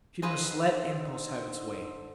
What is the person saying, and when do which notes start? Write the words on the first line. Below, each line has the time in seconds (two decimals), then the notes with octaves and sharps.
She must let impulse have its way.
0.22 D3 D#4 G#4 B4 C5 D#5 F5 E6